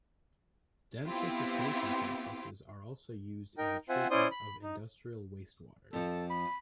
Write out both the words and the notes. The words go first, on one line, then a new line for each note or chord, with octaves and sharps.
Denitrification processes are also used in the treatment of industrial wastewater.
B3 C4 E4 F4 G4
D#4 A#4 G5
C4 F4 C5 E5 F#5 G#5
C#4 E4 C5 D5 C6 D#6
B5
D#4
F2 F3 A4
B5